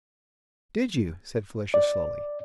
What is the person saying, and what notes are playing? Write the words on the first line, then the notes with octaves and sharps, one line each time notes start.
"Did you?" said Felicia slowly.
D5